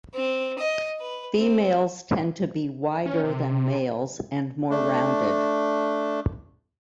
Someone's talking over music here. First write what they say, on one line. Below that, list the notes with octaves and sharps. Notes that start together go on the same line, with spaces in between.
Females tend to be wider than males and more rounded.
C4
D#5
B4
C4
C#4
C3
A3 D4